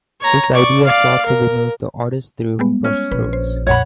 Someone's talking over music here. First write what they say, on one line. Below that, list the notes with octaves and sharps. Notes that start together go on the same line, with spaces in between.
This idea sought to remove the artist through brushstrokes.
C#5 A#5
D5 C#6
D5 F5
A#4
G3 G#3 B3
C#4
A#1 B4
C5
A1 F2 A#2 C#5 F#5 B5